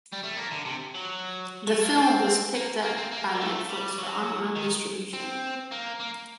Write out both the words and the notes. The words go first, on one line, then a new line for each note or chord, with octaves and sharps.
The film was picked up by Netflix for online distribution.
G3
A3
A#3
D3
C3
F#3
A3
A#3
C4
A#3
A#3
C4
A#3
G3
A3
G3
F#3
D#3
C4
A#3
A#3